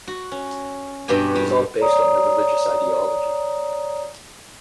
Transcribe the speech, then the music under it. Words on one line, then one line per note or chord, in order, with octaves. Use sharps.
It is all based on their religious ideology.
F#4
C#4
G2 B2 B3 F#4 G4 G#5
G3
C#5 D5 A#5 D#6